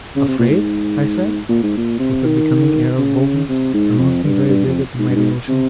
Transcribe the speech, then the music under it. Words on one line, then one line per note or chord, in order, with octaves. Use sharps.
'Afraid!' I said, with a becoming air of boldness, and looking very big at the mighty ocean.
C#3
C3
A#2
G#2
A#2
G#2
A#2
C3
D#3
C#3
C3
G#2
F2
G2
G2
F2
G#2
G2
G#2
C3